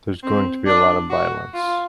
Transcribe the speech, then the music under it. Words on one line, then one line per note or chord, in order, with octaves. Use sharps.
There's going to be a lot of violence.
C4
D4
F#4
F4